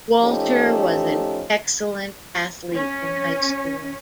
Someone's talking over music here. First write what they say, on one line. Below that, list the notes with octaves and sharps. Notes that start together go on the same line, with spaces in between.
Walter was an excellent athlete in high school.
F3 A3 C#4 D#4 G4
C#4